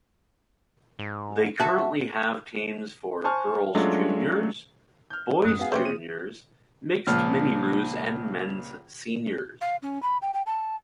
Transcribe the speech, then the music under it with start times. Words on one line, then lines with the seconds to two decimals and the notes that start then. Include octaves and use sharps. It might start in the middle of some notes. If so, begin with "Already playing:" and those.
They currently have teams for Girl's Juniors, Boy's Juniors, Mixed MiniRoos and Men's Seniors.
0.99 G#2
1.60 F#4 E5 A5
3.24 C5 G#5 A5 C#6 F6
3.75 F#3 G#3 A3 C#4 D4 F4
5.10 F6 G6
5.44 A1 F#2 G#3 D#6 F#6
5.59 B3 F#4 G#4 F5
5.72 C3 A3 A#3 C#4 G4 B4 C5
5.85 G#4 D#7
7.07 C#2 A#2 F3 F6
9.61 F5
9.82 C#4
10.03 B5
10.22 G5
10.34 G5
10.46 A5